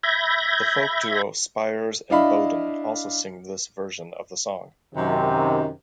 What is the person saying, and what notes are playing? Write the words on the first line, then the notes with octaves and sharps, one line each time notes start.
The folk duo Spiers and Boden also sing this version of the song.
E5 B5 G6 G#6 A#6
D4 E4 D#5 F5 B5
F#2 C3 D#3